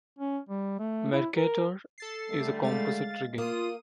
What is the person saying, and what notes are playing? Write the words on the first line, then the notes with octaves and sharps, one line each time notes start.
"Mercator" is a composite rigging.
C#4
G3
A3
E4
A#4
A4 A6 C7
D3 G3 A3
G#3 F5 A6
A#3 F4 D#6 D#7